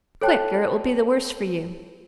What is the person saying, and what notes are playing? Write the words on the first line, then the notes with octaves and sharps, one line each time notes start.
'Quick, or it will be the worse for you.'
A4 C#5 G5 A5 F#6